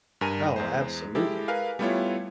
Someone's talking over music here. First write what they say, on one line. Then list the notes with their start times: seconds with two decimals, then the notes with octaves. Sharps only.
Oh, absolutely.
0.21 G2 A#4 G#5 A#5 D#7
0.56 E2 G#3 C5
1.15 G#3 E4 G4 A4
1.48 A#4 B4 F5 G#5
1.79 G3 A3 B3 E4 F4 C#5